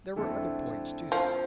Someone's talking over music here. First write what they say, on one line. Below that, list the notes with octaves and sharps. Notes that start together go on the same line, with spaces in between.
There were other points, too.
F2 D3 A3 E4 A4
F3